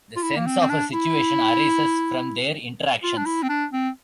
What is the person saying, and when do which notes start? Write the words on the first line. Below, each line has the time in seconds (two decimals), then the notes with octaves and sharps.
The sense of a situation arises from their interactions.
0.16 F4
0.22 E4
0.36 A#3
0.46 C4
0.61 C4
0.69 D4
0.93 E4
3.03 F4
3.17 D4
3.26 E4
3.43 C4
3.49 D4
3.73 C4